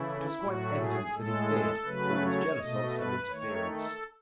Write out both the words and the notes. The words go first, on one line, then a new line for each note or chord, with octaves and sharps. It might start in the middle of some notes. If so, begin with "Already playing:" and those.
It was quite evident that he feared, or was jealous of, some interference.
Already playing: C#3 E3 A3 E4
A2 F#3 A3 F#4
G#4
A2 G#3 A4
C#3 F#3 A3 B4
C#5
B2 A3 D#5
B4
D#3 A3 C#5
A4